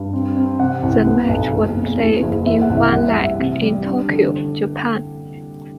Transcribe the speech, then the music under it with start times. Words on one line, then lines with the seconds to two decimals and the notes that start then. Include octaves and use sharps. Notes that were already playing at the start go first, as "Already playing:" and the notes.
The match was played in one leg in Tokyo, Japan.
Already playing: G2
0.13 C4
0.37 C4
0.60 C3 F#5
0.83 C2
1.06 B3
1.29 B1
1.53 F#1
1.76 B2
1.99 E2
2.23 F#1
2.45 E3 E5
2.61 F#5
2.70 C2
2.77 E5
2.92 G3 F#5
3.08 E5
3.16 A1
3.24 E5
3.39 C3
3.62 G3
3.86 D4
4.09 D3